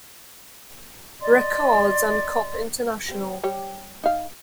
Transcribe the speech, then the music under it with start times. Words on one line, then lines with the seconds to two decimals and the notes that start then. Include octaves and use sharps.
Records and Cop International.
1.21 D5 D#5 C6
3.09 G3 C4
3.43 G3 G4 C#5
4.04 D#4 F5